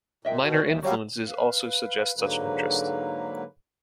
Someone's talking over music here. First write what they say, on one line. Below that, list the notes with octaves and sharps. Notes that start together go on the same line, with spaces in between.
Minor influences also suggest such an interest.
A#2 D#5 E5 G5
B2
F#4 A#4 D5
D#2 G3 E5
F#3 G3 F#4 C#5 F5
B4 F5
G#2 D3 F#3 A#3 B4